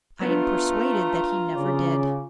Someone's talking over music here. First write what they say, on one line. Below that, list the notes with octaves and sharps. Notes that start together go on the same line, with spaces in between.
"I am persuaded that he never did."
A3 B3 D4 F4 A#5
C#3 D5